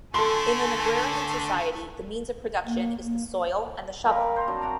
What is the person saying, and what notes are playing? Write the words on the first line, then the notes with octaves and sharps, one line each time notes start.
In an agrarian society the means of production is the soil and the shovel.
D3 A3 A4 G#5 A5 C6
A#3
A#3
G3 A#3 F4 A#4
C5 A#5
F#3 C4 D4
F#4 A#5 D6